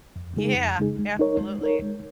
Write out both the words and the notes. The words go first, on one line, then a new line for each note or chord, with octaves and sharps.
Yeah, absolutely.
F2
C#3 G#3 D#4 G#4
F2
C#3 G#3 D#4 G#4
G#3
D#4 A#4 C#5
G#3
D#4 A#4 C#5
G#3